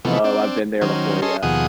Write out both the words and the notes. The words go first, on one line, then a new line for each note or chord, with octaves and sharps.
Oh, I've been there before, yeah.
C3 E3 F3 A3 B3
C4 D4
D#3 F#3 C#4 C5
C#4 G#4 A4 D#5 C6
D#2 B2 F3 G#4 F#5 D#6